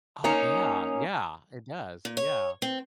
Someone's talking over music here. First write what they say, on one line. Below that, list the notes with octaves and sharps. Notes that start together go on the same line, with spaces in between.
Oh, yeah, yeah, it does, yeah.
A#3 C#4 D#4
A#2
C#5
C4